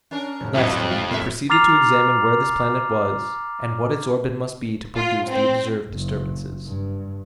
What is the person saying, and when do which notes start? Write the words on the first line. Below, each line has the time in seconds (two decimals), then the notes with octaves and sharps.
Lastly he proceeded to examine where this planet was, and what its orbit must be to produce the observed disturbances.
0.11 C#4 D4 A#4
0.40 F1 D2 A2
0.54 F2 F3 F#3 E4
0.90 G#2 G#3 F4 E5 D#7
1.11 A1 A3 E5
1.50 A#5 D6 F6 A6 C7 F7
4.95 F4
5.31 C4
5.89 F#1
6.66 G2